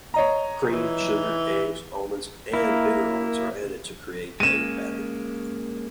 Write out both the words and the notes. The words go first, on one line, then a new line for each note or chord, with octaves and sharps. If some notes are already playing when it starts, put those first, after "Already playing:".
Cream, sugar, eggs, almonds and bitter almonds are added to create a batter.
C#5 D#5 A#5
E3
A#3 E4
G#3 A#3 C#4 D#7 E7